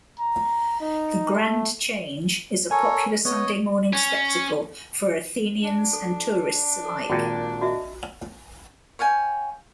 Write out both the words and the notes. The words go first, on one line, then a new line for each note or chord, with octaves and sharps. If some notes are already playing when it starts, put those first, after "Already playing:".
The Grand Change is a popular Sunday morning spectacle for Athenians and tourists alike.
A#5
D#4
A3
A4 A#4 C#5 G#5
B3 C#5 D#5
C#4
D4
A4
A4
G#1 A#2 F#4 G5
F#4 D#5 E5
C#5 F5 G5 G#5